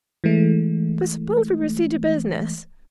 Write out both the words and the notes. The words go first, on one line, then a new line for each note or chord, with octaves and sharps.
But suppose we proceed to business.
E3 G#3 A3